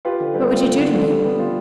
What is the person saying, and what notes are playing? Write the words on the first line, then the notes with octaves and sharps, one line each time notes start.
"What would you do to me?"
F4 G4 B4
D3
G3 G4 B4
F4
D3
D3
D3
G3
B3 G4
F4